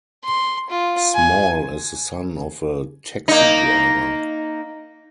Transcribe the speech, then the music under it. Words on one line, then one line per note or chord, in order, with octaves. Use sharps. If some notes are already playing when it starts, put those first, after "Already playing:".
Small is the son of a taxi driver.
C6
F4
G#5
A#3 D#4